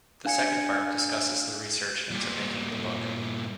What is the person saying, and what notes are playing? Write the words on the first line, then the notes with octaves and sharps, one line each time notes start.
The second part discusses the research into making the book.
D4 F5 G#5 G#6 C#7
G2 A#2